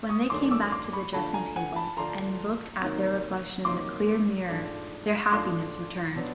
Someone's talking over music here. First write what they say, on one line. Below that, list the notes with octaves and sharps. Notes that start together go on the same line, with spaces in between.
When they came back to the dressing table and looked at their reflection in the clear mirror, their happiness returned.
C#6 D#6
F#2 D#3 F#3 A3 D4 C6 D6
D6 E6
C6 D6
B5 C#6
D3 F3 A3 D4 F4 A5 B5
G#5 A#5
F#5 G#5
A5 B5
D3 F3 A3 D4 F4 A#5 C6
C3 D#3 F#3 A#3 D#4
C3 D#3 F#3 A#3 D#4 C6 D6
G#2 F3 A3 D4 F4
G#2 F3 A3 D4 F4 C6 D6
B2 F#3 B3 D4